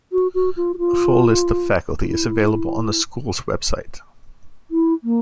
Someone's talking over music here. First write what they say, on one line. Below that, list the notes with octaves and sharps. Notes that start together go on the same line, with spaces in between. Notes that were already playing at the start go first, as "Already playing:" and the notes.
A full list of faculty is available on the school's website.
F#4
F#4
F4
F#4
F4
F4
E4
E4
A#3